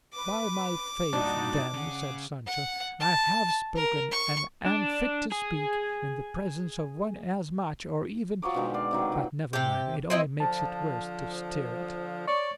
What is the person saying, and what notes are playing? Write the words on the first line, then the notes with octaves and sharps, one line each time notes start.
"By my faith then," said Sancho, "I have spoken, and am fit to speak, in the presence of one as much, or even--but never mind--it only makes it worse to stir it."
B4 D6
G2 A#2 D4 D#4 F#4 D5
C#3 G#4 F#5
F#5
A5
A#4
C#6
D4
G#4
F3 F#3 C#5 D6
B2 D3 D#3 G#3
D5 F5
C3 D#3 F#3
A#2 G5
C3 G4
C4 E4 D#5
D3 F3 A5
C#5 D5 C#6